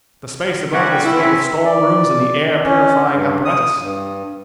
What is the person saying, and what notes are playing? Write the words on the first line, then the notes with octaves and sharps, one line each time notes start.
The space above is filled with storerooms and the air purifying apparatus.
G3 C#4 F#4 F#5
G5
E4
C4 C#4 E5
D5
C#4
G2
D#6
G2